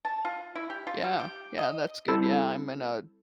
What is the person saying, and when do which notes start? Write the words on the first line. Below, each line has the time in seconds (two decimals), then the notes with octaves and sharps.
Yeah, yeah, that's good yeah, I'm in a
0.05 A5
0.25 F4
0.55 E4
0.70 G4
0.87 F4
1.04 G3
1.19 G4
1.58 D#5
2.08 G3 C4 E4 A4